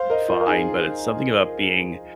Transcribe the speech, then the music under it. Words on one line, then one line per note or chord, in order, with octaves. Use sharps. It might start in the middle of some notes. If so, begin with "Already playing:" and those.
fine, but it's something about being
Already playing: C5 F5
A#4 D#5
F4 A#4
A#4
D#4 G#4